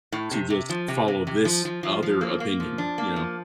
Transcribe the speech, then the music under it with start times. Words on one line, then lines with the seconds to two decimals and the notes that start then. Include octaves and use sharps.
to just follow this o other opinion, you know?
0.12 A2
0.31 C3
0.50 C3
0.69 F3
0.88 C3
1.08 C3
1.27 C3
1.45 F3
1.65 F3
1.83 F3
2.03 F3
2.21 A#3
2.40 A#3
2.60 F3
2.78 D4
2.98 A#3
3.16 F3